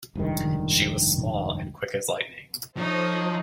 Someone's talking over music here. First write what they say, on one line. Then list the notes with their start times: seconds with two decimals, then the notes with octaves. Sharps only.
She was small and quick as lightning.
0.15 F1 C#2 G2 D#3
2.77 F3 D#4 A4 C5 C#5 D#5